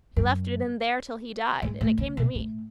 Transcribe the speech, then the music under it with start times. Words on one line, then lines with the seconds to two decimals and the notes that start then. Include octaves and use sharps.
He left it in there till he died, and it came to me.
0.16 F#2
1.62 G#2
1.81 A2
1.98 C#3
2.17 B2
2.35 A2